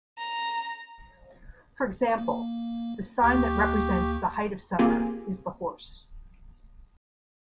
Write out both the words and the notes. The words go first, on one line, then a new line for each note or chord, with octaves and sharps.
For example, the sign that represents the height of summer is the horse.
A#5
A#3
D2 A#3 G4 C#6
A#3 C4 F4 G4 G#4 G#5